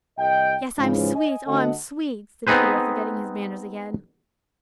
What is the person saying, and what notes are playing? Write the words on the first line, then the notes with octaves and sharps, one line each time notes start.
"Yes, I'm sweet, oh, I am sweet!" said Peter, forgetting his manners again.
C2 D#5 G5
G#2 C#3 E3 F3
D#5 G#5
D2 A4 D#5 F#5
B3 C4 D#4 G#4 B4 C5